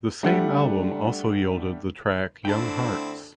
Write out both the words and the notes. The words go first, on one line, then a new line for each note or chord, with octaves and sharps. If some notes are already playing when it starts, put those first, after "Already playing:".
The same album also yielded the track "Young Hearts".
G3 A3 D4 F#5
D3 A3 C4 D4 E4 G5 A5